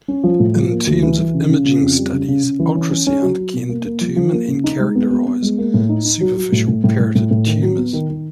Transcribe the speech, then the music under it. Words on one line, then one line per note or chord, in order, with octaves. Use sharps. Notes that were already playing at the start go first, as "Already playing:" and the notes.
In terms of imaging studies, ultrasound can determine and characterize superficial parotid tumors.
C#4
F3
A2
F3
A#3
D2
E3
E3
C#3
C#3
C#3
F2
G3
C#3
C#3
C#3
E3
C#4
C#4
C#4
F#3
F#3
B2
A#3
A#3
F3
F3
A#3
C#3
D#4
G#3
B3
B3
B3
G#3
A#3
A2
D#4
D#4
F#3
F#3
A2
A2
A2
A2
A2
A2
D#3
F#3
B3
D#3
D#3